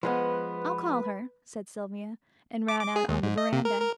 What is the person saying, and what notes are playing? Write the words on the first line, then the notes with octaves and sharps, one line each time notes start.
"I'll call her," said Sylvia, and ran out on the veranda.
F3 G#3 B3 B4
D6
D6
G#4
D#2
G#2
D#5
C3
A#4
A#4